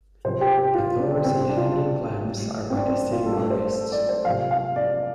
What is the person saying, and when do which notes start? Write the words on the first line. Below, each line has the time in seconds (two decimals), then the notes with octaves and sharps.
The doors and hanging lamps are by the same artists.
0.25 C3 F3 C5
0.41 G4
0.58 G4
0.74 F4
0.99 D4
1.25 C3 G3 C4
1.49 D4
1.57 F4
1.66 D4
2.25 A2 G3
2.70 C4
2.75 D4
2.88 C4
3.12 F4
3.25 A2 G3 A4
3.50 C5
3.75 A4
3.92 D5
4.09 C5
4.25 C3 F3 F5
4.51 F5
4.76 D5